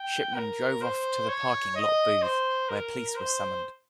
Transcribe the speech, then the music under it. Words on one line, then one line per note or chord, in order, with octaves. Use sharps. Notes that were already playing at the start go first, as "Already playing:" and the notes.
Shipman drove off to the parking lot booth where police were summoned.
Already playing: G5
A#4
C5
C#5
D#5
C5
A#4
C5